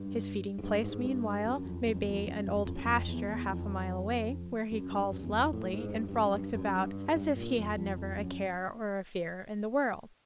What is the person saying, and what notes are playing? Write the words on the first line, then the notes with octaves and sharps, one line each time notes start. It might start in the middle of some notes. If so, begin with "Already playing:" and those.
His feeding place meanwhile may be an old pasture half a mile away, where he calls loudly, and frolics about as if he had never a care or a fear in the world.
Already playing: G2
G#2
G2
G#2
G2
F#2
F2
F#2
F2
E2
F2
F#2
F2
F#2
F2
F#2
F2
E2
E2
F2
F#2
G2
F#2
E2
F2
A2
G#2
G#2
G2
G2
F#2
G2
F#2
G2
G2
A#2
F2
F2
F2
F#2